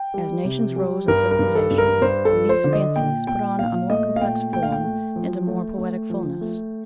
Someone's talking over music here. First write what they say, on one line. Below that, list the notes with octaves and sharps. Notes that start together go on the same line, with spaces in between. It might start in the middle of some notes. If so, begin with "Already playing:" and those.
As nations rose in civilization these fancies put on a more complex form and a more poetic fulness.
Already playing: G5
G3
C3
G3
G2 A#4
A#4
G2
A4
G2
A#4
G2 C5
A4
F3
C5
D3
D#5
A#2 G5
A#2 G5
A#2 F5
A3 D#5
F5
A#2 G5
A3 G5
F5
G5
A3
F3
A3
A3
F3
A3